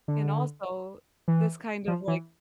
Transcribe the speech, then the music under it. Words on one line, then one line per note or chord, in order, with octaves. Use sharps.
And also, this kind of, like
D3
E3
F3
E3